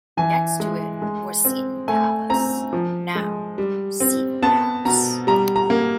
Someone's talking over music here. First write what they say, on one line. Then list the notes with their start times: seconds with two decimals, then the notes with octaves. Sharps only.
Next to it was Seton Palace, now Seton House.
0.17 E3 G#5
0.60 G#3
1.02 G#3
1.45 C4
1.88 A3 G#5
2.30 C4 A#5
2.73 F3
3.15 G#3
3.58 G3
4.00 C4
4.42 B3 A5
4.85 B2 A#5
5.27 G3 A#5
5.56 A#5
5.70 A#3